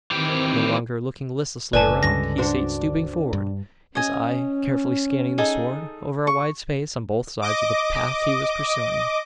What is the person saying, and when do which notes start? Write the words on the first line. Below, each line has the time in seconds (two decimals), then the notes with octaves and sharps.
No longer looking listlessly around, he sate stooping forward, his eye carefully scanning the sward, over a wide space on both sides of the path he was pursuing.
0.11 D#3 E3 C4 G4
1.73 F#1 G#2 D3 D4 B4 D5 G#5 A5
2.03 C#2 G2 C#3 A#6
2.38 D4 F#4 C5
3.33 G2
3.95 C#4 D#5 G#5
5.38 D#4 G#4 A4
6.27 C#6
7.42 D#5 D6